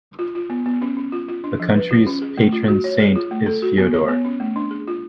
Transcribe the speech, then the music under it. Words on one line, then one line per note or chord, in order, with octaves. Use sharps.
The country's patron saint is Fyodor.
F4
F4
B3
B3
C#4
C#4
F4
F4
D4
F3
B4
F4
C#4
G#4
A3
F4
F#4
C#5
G#4
F4
A3
A4
F#4
B3
C#5
B3
C#4
A3
D4
G#4
F4